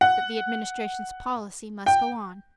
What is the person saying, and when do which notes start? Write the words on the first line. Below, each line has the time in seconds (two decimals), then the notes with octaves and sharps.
But the Administration's policy must go on.
0.01 F#5
1.86 G5